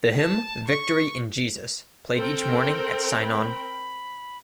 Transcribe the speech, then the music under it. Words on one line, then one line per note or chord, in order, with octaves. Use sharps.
The hymn "Victory in Jesus" played each morning at sign-on.
A5
C#6
C4 A4 A#4 G5
B5